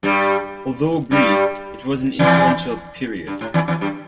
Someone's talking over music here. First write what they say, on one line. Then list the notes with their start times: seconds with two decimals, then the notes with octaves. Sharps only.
Although brief, it was an influential period.
0.03 G2 G3
1.11 G2 G3
2.19 E2 E3
3.27 G2
3.41 A2
3.54 E2 E3
3.68 E2 E3
3.81 G2 G3